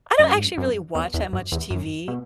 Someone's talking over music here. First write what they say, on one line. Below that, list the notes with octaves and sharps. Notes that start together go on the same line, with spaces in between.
I don't actually really watch that much TV.
F#2
G#2
F#2
F#2
E2
E2
F#2
E2
F#2
B2